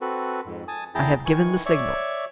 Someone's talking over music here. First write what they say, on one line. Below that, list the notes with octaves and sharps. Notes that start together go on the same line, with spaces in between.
"I have given the signal."
C4 F#4 A4 B4
F2 G#2
G#5 A5 D#6
E2 E4 G#4 G5 A5 A#5
D#3 E3 G#5 C#6
C#5 D5 E5 C#6